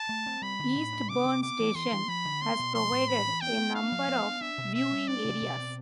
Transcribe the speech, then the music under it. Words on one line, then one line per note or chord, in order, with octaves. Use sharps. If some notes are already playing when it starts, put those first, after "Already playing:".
Eastburn Station has provided a number of viewing areas.
Already playing: A5
A3
C4
G3 B5
D3
A2
D4
C3 D6
C3
B3 D6
E3
E3 C6
E3
F3 B5
D3
B3 C6
B2
F3 C6
A2
E3 B5
E3
B3 G5
B3
D4 F5
F3
B3
D4
D4 E5
B2
C4 E5
G3
D4 D5
C3
B2
C4